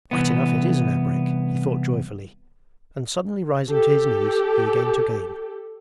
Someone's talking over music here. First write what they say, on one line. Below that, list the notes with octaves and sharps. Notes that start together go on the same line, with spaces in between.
'Right enough it is an abrek! he thought joyfully, and suddenly rising to his knees he again took aim.
C2 E3 B3
G4 A4